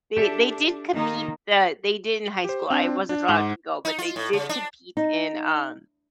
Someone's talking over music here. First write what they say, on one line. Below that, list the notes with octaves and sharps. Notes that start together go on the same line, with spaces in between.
they they did compete, uh, they did in high school. I wasn't allowed to go, but they did compete in, um,
D4 G4 A4 E5
D#3 A#3 D#4
G4 C5
C4 D4
D4
G#2 F#5 D6
D#4
F4
A2
C#3
D4
D#4